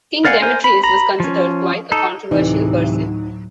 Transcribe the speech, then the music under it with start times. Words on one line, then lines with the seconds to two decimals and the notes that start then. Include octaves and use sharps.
King Demetrius was considered quite a controversial person.
0.25 A#4 D5 F5 F#5 G#5
0.42 A#4 C5 G#5
0.64 B5
0.83 A#5 B5
1.20 F3 C#4
1.92 D#4 A4
2.31 D2 A2 C3 E3 F#3 D#4